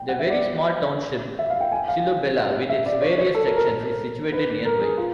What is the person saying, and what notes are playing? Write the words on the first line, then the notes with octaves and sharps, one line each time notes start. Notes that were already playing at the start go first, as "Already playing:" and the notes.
The very small township Silobela, with its various sections, is situated nearby.
Already playing: G5
F#5
E5
D5
E5
F5
G5
G#5
F5
E5
D5
C#5
C#5
A4
A#4
A#4
A#4
B4
A#4
G#4
F4